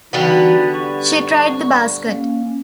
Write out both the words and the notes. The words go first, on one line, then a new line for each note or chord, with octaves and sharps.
She tried the basket.
D3 E3 G3 B3 D#4 F#4
C#6
A#3 C#4